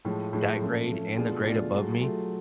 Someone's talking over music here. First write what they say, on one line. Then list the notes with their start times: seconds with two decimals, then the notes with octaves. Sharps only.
that grade and the grade above me,
0.05 A2 F3 G#3
0.33 A2 F3 G#3
0.61 F3 A3 C#4
0.89 F3 A3 C#4
1.17 B2 A3 D4 F4 G#4
1.45 B2 A3 D4 F4 G#4
1.73 F#3 A3 F4 G#4
2.01 F#3 A3 F4 G#4